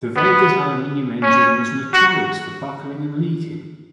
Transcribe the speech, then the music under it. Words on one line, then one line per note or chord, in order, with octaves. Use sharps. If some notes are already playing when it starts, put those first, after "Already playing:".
The Vega's aluminum engine was notorious for buckling and leaking.
B3
C#4
F#4